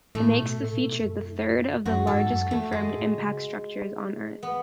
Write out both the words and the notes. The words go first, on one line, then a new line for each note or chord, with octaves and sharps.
It makes the feature the third of the largest confirmed impact structures on Earth.
A2 A3
B2
A2
B2
F#2
F#2 F#4
G#2 A4
F#2
E2 A3
F#2 G#3
A2
C#3
B3